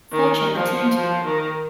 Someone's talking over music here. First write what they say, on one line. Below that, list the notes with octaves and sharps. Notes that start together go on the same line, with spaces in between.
Fortune attend you !
D#3
F3
F3
D#3